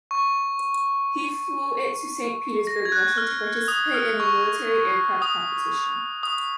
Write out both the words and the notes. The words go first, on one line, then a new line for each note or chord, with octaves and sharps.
He flew it to Saint Petersburg, Russia to participate in a military aircraft competition.
C#6
A#6
G#6
F#6
F6
D#6
F6
C#6
D#6
D#6